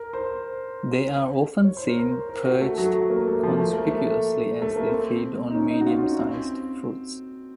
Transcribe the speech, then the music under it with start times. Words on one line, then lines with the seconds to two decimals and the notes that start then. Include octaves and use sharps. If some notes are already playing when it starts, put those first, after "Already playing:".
They are often seen perched conspicuously as they feed on medium-sized fruits.
Already playing: A#4
0.13 C5
1.64 C#5
1.77 C5
1.89 A#4
2.00 C5
2.29 A#4
2.45 F#4
2.61 A3
2.78 F#3
2.94 F#3
3.10 A#3
3.28 A3
3.43 F3
3.60 A3
3.73 A#3
3.87 A3
4.62 A3
4.76 A#3
4.89 C4
5.50 D#4
5.55 C#4
5.70 D#4
5.81 F#4
5.87 F4
6.03 C#4
6.19 C4